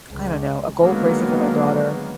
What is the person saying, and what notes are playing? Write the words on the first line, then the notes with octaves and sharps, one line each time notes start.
I don't know, a gold bracelet for my daughter,
C#2
D3 D#3 F#3 G#3 A#3 B3